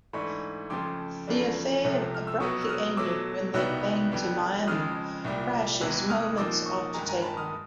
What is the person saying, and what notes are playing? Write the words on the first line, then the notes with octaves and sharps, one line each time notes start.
The affair abruptly ended when their plane to Miami crashes moments after take off.
G#2 E3 A3 D4 B5 C#6
F2 C#3 F3 A3 C6 D6
E2 C#3 F3 A3 D4
C2 C3 F3 A3
F6
E6
B2 F#3 B3 C#6 D#6
E6
D#6 F6
B2 F#3 A3 D6 E6
C2 B2 G3 B3 D#4 E6 F#6
F2 D3 G3 B3
F2 C#3 F3 G#3 D#6 F6
C2 A#2 G3
E2 C3 E3 G#3 B3 E6 F#6
D#6 F6
A#2 F3 A#3 D#4 D6 E6
C#6 D#6
G2 D#3 G#3 G#5 A#5
G#5 A#5
A5 B5
D#6 F6